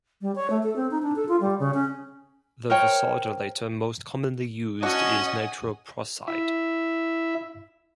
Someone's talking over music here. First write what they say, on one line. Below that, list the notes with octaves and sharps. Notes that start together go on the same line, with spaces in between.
The vasodilator most commonly used is nitroprusside.
G3
C#5
A3
A4
C4
D#4
D4
A4
F4
G3
C#3
C#4
A#4 C5 C#5 G5
C#4 D4 F#4 D#5 F#5 G#5 D#6
E4 E5